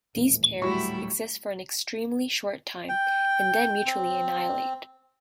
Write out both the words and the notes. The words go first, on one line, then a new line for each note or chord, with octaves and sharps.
These pairs exist for an extremely short time, and then mutually annihilate.
D#1 A2 E3
F#3 G3 A3 E4 F#4 B5 C#6
G5
C4